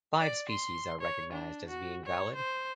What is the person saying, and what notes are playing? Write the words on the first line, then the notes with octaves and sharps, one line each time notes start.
Five species are recognized as being valid.
D5
C6
C#5
D4
F#4
C#5
C5